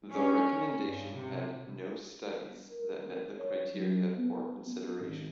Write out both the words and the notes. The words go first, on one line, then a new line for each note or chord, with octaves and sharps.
The recommendation had no studies that met the criteria for consideration.
C#4
G2
C3
A#4
C#5
F#3
B3
B3
G#1